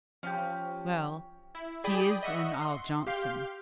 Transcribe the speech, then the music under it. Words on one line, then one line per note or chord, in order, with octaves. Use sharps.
"Well, he is in Isle Johnson."
F3 C#4 G4
E4
G#4 D5 G5 B5 D#6
D#5 E5 F#5 C#6
C6
G4 F5 C6 G6